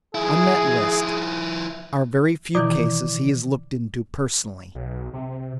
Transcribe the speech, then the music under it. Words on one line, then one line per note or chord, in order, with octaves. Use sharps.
On that list are very few cases he has looked into personally.
F3 E4 G#4
B2 D#3 E3 E4 D5 D6
B1
C3